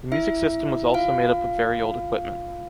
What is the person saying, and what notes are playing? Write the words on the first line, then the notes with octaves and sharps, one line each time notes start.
The music system was also made up of very old equipment.
E4 E5
F4 F5